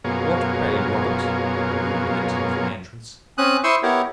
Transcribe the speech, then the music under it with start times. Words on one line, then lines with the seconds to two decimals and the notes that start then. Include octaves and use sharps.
"What prey, Robert?" hallooed Linton from the entrance.
0.04 F#2 B2 A#3 F4 G#4 C#5
3.38 C4 C#4 D#6 F#6
3.64 E4 C5 C6 C#6 D#6 E6
3.83 B3 E4 G4 A#4 C#5